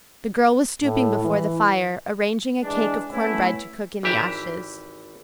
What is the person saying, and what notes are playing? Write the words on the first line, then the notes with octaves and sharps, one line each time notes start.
The girl was stooping before the fire, arranging a cake of corn-bread to cook in the ashes.
A2
E3
E3 G#3 D4
A3 B3 C#4 E4
G#1 E3 G4 E5 A#5